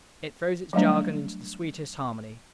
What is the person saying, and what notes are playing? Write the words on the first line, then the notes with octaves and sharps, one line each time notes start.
It throws its jargon into the sweetest harmony.
F#3 G3 A3 D4